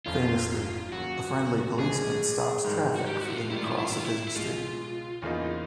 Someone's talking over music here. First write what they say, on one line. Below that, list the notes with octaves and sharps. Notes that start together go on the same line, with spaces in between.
Famously, a friendly policeman stops traffic for them to cross a busy street.
F1 F2 C#3 F4
D#2 C#3 F#3 F#4
C2 B2 G#3 C4 G#4
G#2 D#3 G3
F#4
G4
F#4
E4
F4
G#2 D#3 G3 E4
F4
E4
F4
E4
F4
E4
F4
E4
E4
C#2 B2 G#3 F4
E2 C#3 F3 A#3 D#4